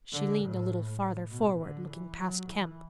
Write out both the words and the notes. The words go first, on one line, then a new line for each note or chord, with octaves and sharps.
She leaned a little farther forward, looking past Kemp.
D3
A2
B2
D3
E3
F#3
E3